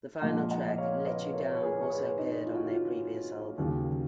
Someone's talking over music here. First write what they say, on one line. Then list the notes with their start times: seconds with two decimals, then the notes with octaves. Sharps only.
The final track, "Let You Down," also appeared on their previous album.
0.22 A#2 F3 G#3 D#5 F#5
0.50 D#5 F#5
0.68 D#5
0.78 C#5 F5
1.06 B4 D#5
1.34 A#4 C#5
1.52 C#5
1.62 G#4 B4
1.81 C#5
1.90 G#4 B4
2.18 D#4
2.46 F4
2.56 F#4
2.65 F4
3.58 D#2 C#3 F#3